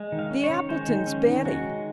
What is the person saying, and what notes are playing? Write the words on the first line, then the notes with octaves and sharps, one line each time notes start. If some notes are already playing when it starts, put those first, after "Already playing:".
The Appletons' Betty.
Already playing: G#3
D#3
F5
C#4
C#5
D#3
G#3 C5
D#3
C#4
D#3
G#3 F#4
D#3